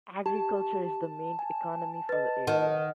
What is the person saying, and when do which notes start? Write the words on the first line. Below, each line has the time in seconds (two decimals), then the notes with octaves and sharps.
Agriculture is the main economy for the area.
0.26 G4 A5
1.39 G#5
2.09 B4 D#5 A6
2.47 D#3 F#5